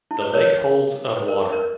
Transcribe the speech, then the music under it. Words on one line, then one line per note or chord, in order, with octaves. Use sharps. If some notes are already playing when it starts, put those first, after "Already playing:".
The lake holds of water.
E4
B4
A#4 C#5
B4
B4
A#4
A#4